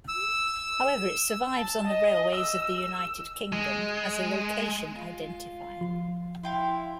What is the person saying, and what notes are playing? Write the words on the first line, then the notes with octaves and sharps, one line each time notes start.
However it survives on the railways of the United Kingdom as a location identifier.
E6
A5
D#5
E6
G#3
F4
F3
E4 F5 G5 C6